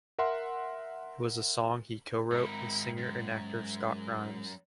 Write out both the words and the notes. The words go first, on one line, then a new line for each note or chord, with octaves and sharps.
It was a song he co-wrote with singer and actor Scott Grimes.
A#4 E5 F#5 C6
G#2 D#4 E4 A#4
F#2